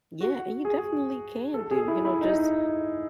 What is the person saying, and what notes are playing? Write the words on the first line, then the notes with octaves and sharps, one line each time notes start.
Yeah, and you definitely can do, you know, just
F#4
G#4
A4
G#4
E4
E4
D#4